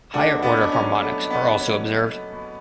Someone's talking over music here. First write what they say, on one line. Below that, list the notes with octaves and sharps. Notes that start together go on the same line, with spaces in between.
Higher order harmonics are also observed.
A3 D4 F#4
B2
B3 D4
B2 D4
C#4
F#3
A3 B3
B2
B3
B2
C#4
F#3
A3
B2
B2